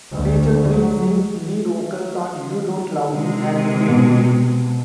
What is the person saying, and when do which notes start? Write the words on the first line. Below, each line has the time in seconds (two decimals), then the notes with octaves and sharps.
Peter Green sings lead vocals on "You Don't Love Me" and "The Same Way".
0.12 D2
0.68 F#3
3.11 C3 G#3
3.88 B2